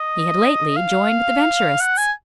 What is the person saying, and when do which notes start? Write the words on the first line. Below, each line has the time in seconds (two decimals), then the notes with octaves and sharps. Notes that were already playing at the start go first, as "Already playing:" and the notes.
He had lately joined the Venturists.
Already playing: D#5
0.76 F5
1.80 F#5
1.98 G#5